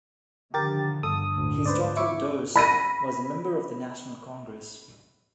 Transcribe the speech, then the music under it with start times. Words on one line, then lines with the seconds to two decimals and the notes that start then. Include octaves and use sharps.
His daughter, Dirce, was a member of the National Congress.
0.54 D3 D#3 F3 G4 A#4 A6
1.03 G1 A4 D#6
1.36 D2 A2
1.66 G#2 B4 C5 D5
1.97 E4 C#6 D6
2.56 B5 A#6 D#7